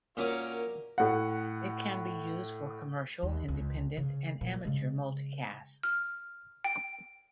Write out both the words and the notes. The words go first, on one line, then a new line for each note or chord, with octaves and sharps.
It can be used for commercial, independent, and amateur multicasts.
A#2 C#4 F#4 A#4 D6
A2 F#5
D#2
C#2
C#3
A#2 F3
C#3 G#3
F6
G5